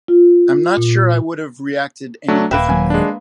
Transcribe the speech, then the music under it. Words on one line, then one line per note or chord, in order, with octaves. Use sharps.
I'm not sure I would have reacted any differently.
F4
A#2
F#3 A3 D4
D#1 A#3 B4 E5 G5
D#2 D#3 F#3 G#5
G#3 D4